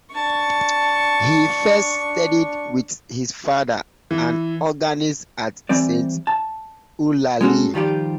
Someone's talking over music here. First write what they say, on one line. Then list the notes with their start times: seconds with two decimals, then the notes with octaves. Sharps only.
He first studied with his father, an organist at Saint Eulalie.
0.14 D4 A5 C#6
4.11 E3
5.69 E3 G3 C4 D5
6.27 A5
7.41 G#3 C#4 F#4 A4
7.74 D#3 F3 G3 F4 G4